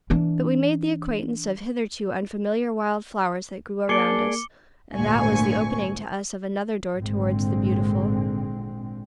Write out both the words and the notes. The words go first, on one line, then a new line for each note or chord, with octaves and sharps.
But we made the acquaintance of hitherto unfamiliar wild flowers that grew around us, and that was the opening to us of another door towards the Beautiful.
E3 D4
A#3 D4 G#4 D5 D6 C#7 G7
G#1 D2 A#2 C4 G#5 C#6
G#1 A#2 D3 G#3 C4